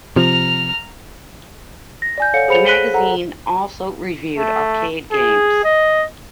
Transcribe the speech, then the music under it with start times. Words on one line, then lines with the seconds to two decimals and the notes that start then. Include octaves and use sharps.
The magazine also reviewed arcade games.
0.16 C3 F3 A#5 F6
2.02 A#6
2.18 D5 G#5 G6
2.34 A4 C#5 F5 F#5 C#7
2.48 G#4 C5 B5 C#7 F7
2.66 F#6 A#6 B6 D#7 F#7 G7
2.94 A4 F#5 A#5
4.38 A3
5.12 G#4
5.64 D#5